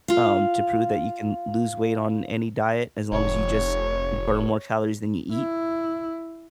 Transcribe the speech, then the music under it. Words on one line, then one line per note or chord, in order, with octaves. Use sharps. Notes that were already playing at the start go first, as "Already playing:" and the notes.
um, to prove that you can lose weight on any diet as long as you just burn more calories than you eat.
F4 F5
F1 C#5
E4